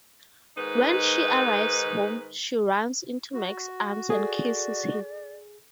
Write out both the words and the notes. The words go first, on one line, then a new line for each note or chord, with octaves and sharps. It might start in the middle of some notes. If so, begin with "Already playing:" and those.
When she arrives home, she runs into Mike's arms and kisses him.
G#2 D#3 D#4 B4
F#4
G#4 A4 D5